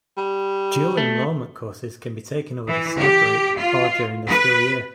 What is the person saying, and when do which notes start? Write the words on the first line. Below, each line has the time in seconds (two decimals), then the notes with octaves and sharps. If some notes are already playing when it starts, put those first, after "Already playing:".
Dual-enrollment courses can be taken over the summer break or during the school year.
0.17 G3
0.97 A3
2.67 E3
2.98 G4
3.58 F4
4.28 B4